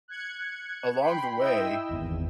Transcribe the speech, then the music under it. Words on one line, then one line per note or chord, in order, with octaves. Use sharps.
along the way,
F#6 G#6 C#7
G5 B5 C6
E4 D#5 E5 G5 E6
G#1 E2